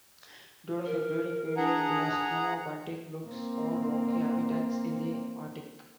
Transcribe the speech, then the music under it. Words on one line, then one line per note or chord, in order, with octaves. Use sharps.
During the breeding period the snow bunting looks for rocky habitats in the Arctic.
A#4
D4 G#4 F#5 A#5
A#3 C4